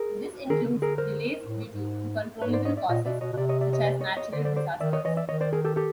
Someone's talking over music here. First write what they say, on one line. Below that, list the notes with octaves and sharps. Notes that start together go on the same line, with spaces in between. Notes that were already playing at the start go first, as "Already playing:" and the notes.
This includes delays due to uncontrollable causes, such as natural disasters.
Already playing: G#4 A#4
D#3 G#4 A#4
C#3
D3
G#4 A#4
A#4 C5
A2
G#2
G#2 B4 C#5
C5 D5
C#5 D#5
D5 E5
A#2 C#5 D#5
B2 D5 E5
B2 C#5 D#5
B2
C3 D5 E5
C#5 D#5
D5 E5
C#5 D#5
C5 D5
C#5 D#5
C#5 D#5
D3 C5 D5
C5 D5
C5 D5
D#3 D5 E5
C#5 D#5
E3 C#5 D#5
D5 E5
D#3 C#5 D#5
C5 D5
G#4 A#4
G4 A4
G4 A4